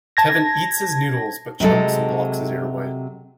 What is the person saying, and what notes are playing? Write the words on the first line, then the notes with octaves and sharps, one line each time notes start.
Kevin eats his noodles but chokes and blocks his airway.
A5 G#6 A#6
C3 F#3 G#3 A4